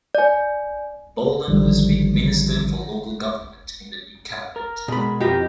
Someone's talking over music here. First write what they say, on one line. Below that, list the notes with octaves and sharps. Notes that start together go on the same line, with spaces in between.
Boland was made Minister for Local Government in the new cabinet.
D5 G#5
A1 D3 D#3 F3 G3
A#4
B2 G#3 B5
F2 E4 F4 G4 A#4 D#5